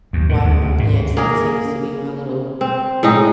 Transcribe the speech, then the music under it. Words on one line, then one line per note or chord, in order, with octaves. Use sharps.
water my plants, that seems to be my little
D#2
G#2
D2
G#2
A#3 G#4 A#4
C4
A2 G#3 D#4